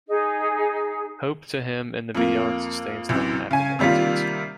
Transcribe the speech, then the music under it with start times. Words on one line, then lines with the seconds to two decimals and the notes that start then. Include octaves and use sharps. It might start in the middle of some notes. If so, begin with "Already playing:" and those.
Hope, to him, in the Beyond sustains the unhappy multitudes.
0.08 D#4 G#4
2.15 F2 A#3
3.09 C2 F#2 E3
3.51 C#3 G#5
3.79 C3 D#3 G3 A#3 F4